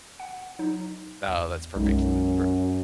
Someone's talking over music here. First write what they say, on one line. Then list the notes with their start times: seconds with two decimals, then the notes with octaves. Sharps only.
No, that's perfect, that's perfect
0.20 F#5
0.59 F#3 D#4
1.28 E2
1.75 B1 F#2 G#3 D#4